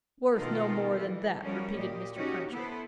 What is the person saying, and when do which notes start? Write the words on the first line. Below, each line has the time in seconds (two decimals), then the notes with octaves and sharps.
"Worth no more than that," repeated Mr. Cruncher.
0.34 B2 D#3 F4 A4 A#4
0.95 E3 G3
1.41 F3 G3 C#4 F#4 A#4
1.73 A#2 G4 D#5
2.14 C#4 D#4 F#4 G4
2.52 B3 E4 A4 B4 C5